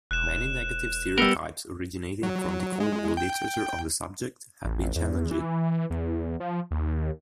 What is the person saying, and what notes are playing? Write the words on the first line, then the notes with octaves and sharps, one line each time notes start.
Many negative stereotypes originating from the cold-war literature on the subject have been challenged.
E1 F#6 E7
G3 B3 A#4 E6 C#7 G7
F#3
G#3
G5
A1
E2
E3
E2
F3
D#2